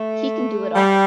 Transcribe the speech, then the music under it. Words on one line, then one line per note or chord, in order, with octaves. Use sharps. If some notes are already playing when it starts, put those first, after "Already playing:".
He can do it all.
Already playing: A3
G3